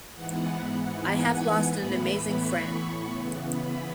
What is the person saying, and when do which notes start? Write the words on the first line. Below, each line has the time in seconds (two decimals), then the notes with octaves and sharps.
I have lost an amazing friend.
0.14 G#2 E3 B3 F#5
0.89 G#5
1.26 G#5
1.63 A2 E3 B3 B5
2.00 B5
2.37 C#6
3.11 C#3 E3 B3
3.48 B5